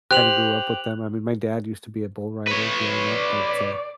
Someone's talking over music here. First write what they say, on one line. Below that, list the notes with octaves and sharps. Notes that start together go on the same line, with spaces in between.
Kinda grew up with them. I mean, my dad used to be a bull rider, growing up, but, uh,
G4 C5 F#6 F7 F#7
B4 C#5
D5